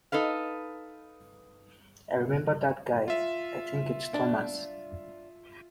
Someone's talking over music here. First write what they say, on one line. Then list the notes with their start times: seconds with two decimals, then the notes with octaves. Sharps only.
I remember that guy, I think it's Thomas.
0.12 D#4 A4 B4 F5
3.08 F4 E5
4.14 D4